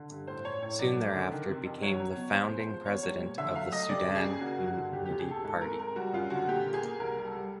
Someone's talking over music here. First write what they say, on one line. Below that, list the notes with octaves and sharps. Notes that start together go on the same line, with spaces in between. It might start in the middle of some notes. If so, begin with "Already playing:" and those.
Soon thereafter became the founding president of the Sudan Unity Party.
Already playing: D3
G2
A2 C5
A2 C#5
A2 C#5
F#3 D5
A3
D3
D#3
C3
F2
F#3 C#5
F#3
B2
G#2 C5
G#3
C5
F3
B3 C#5
G3 C#5
A#2
D3 E5
F#3 F5
A3 D#5
D#2 D5
C#3
G#4
C#3
A#3 F#4
G2
F#4
D3
D#2 G4
D#2 G4
G#4
D#2 A4
G#2 A4
C4 A#4
G#3 A#4
G3 F#4
F#2 F4
D3 F#4
A#2 G4
A#3
G#4
A#3
C2 A#4
G3
A4
G3